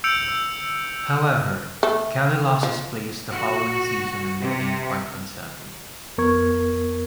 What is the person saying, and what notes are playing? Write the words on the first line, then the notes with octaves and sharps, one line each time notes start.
However, Kelly lost his place the following season and became quite unsettled.
E6 G6 C#7 D7 F7
A3
F3
F#4
C3
F2 B3 A#4 C#6 G#6